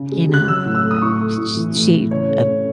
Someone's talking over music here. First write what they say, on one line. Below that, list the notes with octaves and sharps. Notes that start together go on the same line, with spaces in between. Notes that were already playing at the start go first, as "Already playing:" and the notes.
you know, uh, sh sh she a
Already playing: C#3
G#3
G#3 F#6
F#3 E6
A2
E6
A3
D#6
A2 C#6
A3
A2
E3
A2
E3
C#3 C#5
A3
C#3